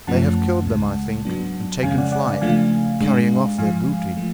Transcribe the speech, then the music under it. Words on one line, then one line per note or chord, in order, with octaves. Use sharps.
They have killed them, I think, and taken flight, carrying off their booty.
F#2 F3 A3 C#4 F#5 A5
C#2 C#3 G#3
G#2 F#3 B3 D4
F2 C#3 G#3 C#4 F5 G#5
D5 F#5
D5 F#5
D5 F#5
C#3 F3 A3 D4 F5 G#5
G#2 G#3 D4
G#2 F3 G#3 F5 G#5
F3 A3